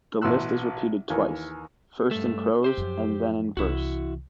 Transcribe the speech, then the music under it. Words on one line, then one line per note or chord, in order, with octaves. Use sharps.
The list is repeated twice, first in prose and then in verse.
A1 B2 B3 C6 E6 F#6
D#2 E3 A#4 G#5
G2 A3
G4 C5
F#2 F3
C2 E3 E4 F#4